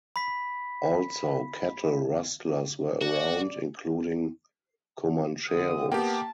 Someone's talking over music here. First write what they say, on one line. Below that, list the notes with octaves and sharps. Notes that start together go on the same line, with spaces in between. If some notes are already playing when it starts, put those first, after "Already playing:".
Also, cattle rustlers were around, including Commancheros.
B5 B6
F#4 D5
D3 D#6
A#3 B3 G4 G5 A5